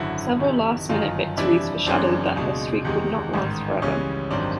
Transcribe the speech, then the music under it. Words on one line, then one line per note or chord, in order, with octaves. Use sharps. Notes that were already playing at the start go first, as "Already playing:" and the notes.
Several last-minute victories foreshadowed that her streak would not last forever.
Already playing: G#1 F#2 D3 E4 F#4
F2 C3 D#3
G1 F#2 D#3 F#3 D#4 F4
F2 C3 E3 G3 D4 E4
F#1 F#2 C#3 E3 C4 D4
C#2 B2 G#3
E2 C3 D#3 G#3
A1 G#2 D#3
C#2 C#3 E3 G3 C#4
G#1 F#2 D#3 G3 C4 D4